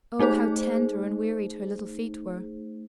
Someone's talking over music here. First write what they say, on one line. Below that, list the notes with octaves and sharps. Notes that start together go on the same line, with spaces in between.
Oh, how tender and wearied her little feet were!
A3 D#4 G#4 C5